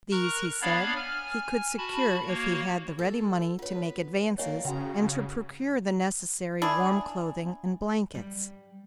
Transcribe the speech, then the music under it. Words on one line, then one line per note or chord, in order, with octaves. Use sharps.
These, he said, he could secure if he had the ready money to make advances and to procure the necessary warm clothing and blankets.
A#4 A#5 C#6 F#6
B3 D4 C#5 D5 F5 B5
G#5 F6
F#4 A5 B5
A#3 F#4 C#5
A4
B3 F4 B4 C#5
F#2 D3 A#3 C#5 D#5 G#5
C#3 F#4 F#5 G5 A#5
D4 E4 G#4
G3